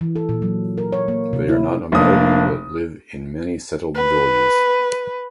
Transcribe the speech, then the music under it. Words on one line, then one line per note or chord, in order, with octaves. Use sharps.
They are not nomadic, but live in many settled villages.
E3
A4
A#2
F#3
A#4
C#5
A#3
C3
E4
F1 A#3 D4 D#6
B4